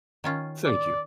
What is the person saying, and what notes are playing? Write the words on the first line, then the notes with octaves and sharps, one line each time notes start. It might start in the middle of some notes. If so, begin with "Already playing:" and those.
Thank you,
D#3 C#4 F4
D5